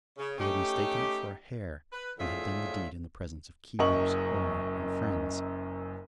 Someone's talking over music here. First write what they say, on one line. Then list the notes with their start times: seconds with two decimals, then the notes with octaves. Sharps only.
He had mistaken it for a hare, and had done the deed in the presence of keepers, owner, and friends.
0.18 C#3
0.39 A3 C#4 D#4 G4
1.93 B4
2.18 A2 D3 F3 F4 G#4 E5
3.79 F#1 F#2 A#4 D#5 C#6 F#7